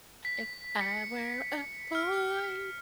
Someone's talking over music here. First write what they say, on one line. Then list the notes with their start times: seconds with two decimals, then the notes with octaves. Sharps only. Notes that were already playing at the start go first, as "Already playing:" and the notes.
If I were a boy,
0.25 B6
0.81 C#7
1.95 F6